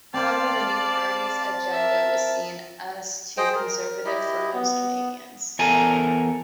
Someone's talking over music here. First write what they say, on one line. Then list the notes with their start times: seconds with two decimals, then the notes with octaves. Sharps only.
However, the new party's agenda was seen as too conservative for most Canadians.
0.14 C4 C5 D5 F5 A5
1.72 A#4 E5
3.37 G#4 C5 D#5 G5
3.55 A#4
4.05 E4 G4 D#5
4.54 B3
5.59 E2 A4 A#4 G#5